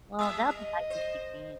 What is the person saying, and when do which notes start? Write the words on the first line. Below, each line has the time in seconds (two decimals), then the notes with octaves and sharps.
Well, that might mean she can.
0.19 G3 E5 D#6 E6
0.55 D#5
0.90 C5